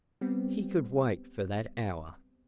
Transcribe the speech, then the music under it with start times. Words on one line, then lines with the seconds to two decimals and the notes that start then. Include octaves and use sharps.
He could wait for that hour.
0.21 G3 B3 C4